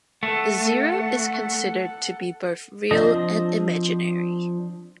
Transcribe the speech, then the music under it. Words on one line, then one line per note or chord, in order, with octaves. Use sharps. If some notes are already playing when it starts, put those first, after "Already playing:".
Zero is considered to be both real and imaginary.
A3 A4 F#5
F3 C4 D4 D#5